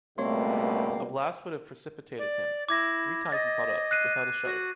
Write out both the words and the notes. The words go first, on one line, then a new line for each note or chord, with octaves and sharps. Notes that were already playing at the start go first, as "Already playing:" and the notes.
A blast would have precipitated him, three times he caught up, without a shudder.
C#2 B2 G3 A3 A#3 C4 C#5 C6
D5
E4 D6 G#6 A#6
D#5 A6
F#6 C7 D#7
F#4